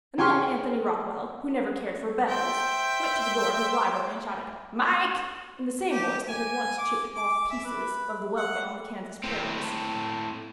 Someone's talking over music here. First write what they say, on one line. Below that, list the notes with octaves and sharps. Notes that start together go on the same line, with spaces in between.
And then Anthony Rockwall, who never cared for bells, went to the door of his library and shouted "Mike!" in the same voice that had once chipped off pieces of the welkin on the Kansas prairies.
C#3 G5 G#5 C6 C#6 F6
C5 E5 G5
G4
G#5
D6
D6
E5
B4
F#5
A2 C4